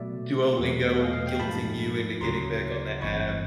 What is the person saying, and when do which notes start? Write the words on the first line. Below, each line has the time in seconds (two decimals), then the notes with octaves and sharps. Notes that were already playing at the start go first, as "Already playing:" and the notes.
Duolingo guilting you into getting back on the app.
Already playing: B2 F#3 A3 D5 E5
0.59 E2 B2 F#3 A3
1.00 D#5 F5
1.13 D#5 F5
1.26 F5 G5
1.40 G#2 F3 A3 A5 B5
2.21 D2 C#3 F#3 A#5 C6
3.01 G1 G2 E3 A3 C4 B5 C#6